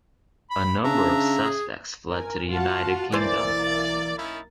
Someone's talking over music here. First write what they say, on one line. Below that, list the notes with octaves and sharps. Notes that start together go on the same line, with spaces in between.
A number of suspects fled to the United Kingdom.
B5
C#3 D4 E5 A#5
G#4
A#4 G#5
F4 F#4 F#5 A5
B1 E3 A#3 C5 D5 A6
C#4 D#4 E4